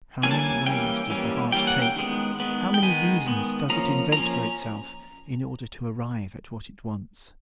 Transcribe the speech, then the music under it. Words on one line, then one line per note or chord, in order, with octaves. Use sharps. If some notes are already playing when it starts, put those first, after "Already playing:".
How many ways does the heart take, how many reasons does it invent for itself, in order to arrive at what it wants!
E3 G3 A#3 C#4 G#5
A5
G#5
E3 G3 A#3 C#4 G5
E3 G3 A#3 C#4
E3 G3 A#3 C#4 G5
F#5
G5
D#3 G#3 B3
D#3 G#3 B3
G5
D#3 G#3 B3 G#5
D#3 G#3 B3
F3 A#3 C#4 A#5
F3 A#3 C#4 A#5